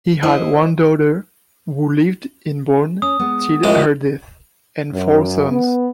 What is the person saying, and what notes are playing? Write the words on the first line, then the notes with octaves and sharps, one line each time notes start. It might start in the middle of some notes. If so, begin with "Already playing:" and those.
He had one daughter, who lived in Bonn till her death, and four sons.
E4 C5 D#5
C#4 D#6
G#3 B3
A1 F2 G#3 A#4 E5
F#2
B3